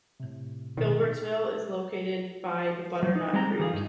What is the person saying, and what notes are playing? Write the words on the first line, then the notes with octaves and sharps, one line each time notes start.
Gilbertsville is located by the Butternut Creek.
A2 C3
B2 D#3
F#3
D#4
G3 G#3 C4 G4 G#5 A#5
G3
E3 G#4 F5
G2 D#4